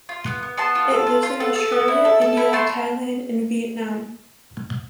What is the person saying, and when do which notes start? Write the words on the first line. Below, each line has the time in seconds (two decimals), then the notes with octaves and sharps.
It lives in Australasia, India, Thailand and Vietnam.
0.09 F4
0.26 B3
0.43 B3
0.57 B3 A5 C6
0.75 F4
0.91 A4
1.07 F4
1.23 F4
1.40 A4
1.55 A4
1.72 B3
1.88 E4
2.05 A4
2.21 A4
2.37 E4
2.53 A3 A5 C6